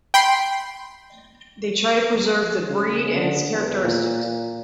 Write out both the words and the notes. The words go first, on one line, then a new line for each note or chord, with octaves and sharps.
They try to preserve the breed and its characteristics.
G5 B5 C6
C#3
D3
E2
A#2
A#2